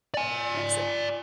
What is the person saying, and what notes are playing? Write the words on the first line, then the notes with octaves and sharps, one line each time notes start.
fix it."
D5 G#5